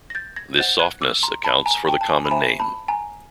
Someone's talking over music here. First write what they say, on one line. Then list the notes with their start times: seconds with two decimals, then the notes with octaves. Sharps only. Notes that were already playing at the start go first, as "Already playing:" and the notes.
This softness accounts for the common name.
0.10 A#6
0.15 G6 A6
0.36 G#6 A#6
0.58 C5 D#5 F#5 G6 A6
0.79 F#6 G#6
1.02 D6 E6
1.23 A#5 C6
1.44 A5 B5
1.66 G#5 A#5
1.88 G5 A5
2.01 A5
2.09 G#5
2.25 B5
2.31 C5 E5 G5 G#5 A#5
2.60 A5 B5
2.88 G#5 A#5